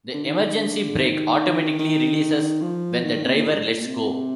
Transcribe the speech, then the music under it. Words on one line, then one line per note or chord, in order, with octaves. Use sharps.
The emergency brake automatically releases when the driver lets go.
D3
D#3
D#3
D#3
D3
D#3
D#3
F3
D#3
D#3
C3
A#2
A2
G2
A2
A#2
C3